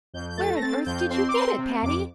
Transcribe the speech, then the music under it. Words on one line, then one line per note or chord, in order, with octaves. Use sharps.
"Where on earth did you get it, Patty?"
F2 G6
G6
A3 A6
A#6
C4 A6
F2 G6
C4 C6
D6
C4 C6
C3
F2 D6